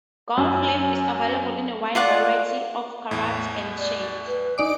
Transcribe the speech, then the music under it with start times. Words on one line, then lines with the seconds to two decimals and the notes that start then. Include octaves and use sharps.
Gold leaf is available in a wide variety of karats and shades.
0.37 F#2
1.95 F4 D5 F#5 C#6
3.11 E2 A2
3.79 D5
4.27 B4
4.58 D#4 D5 G#5 D6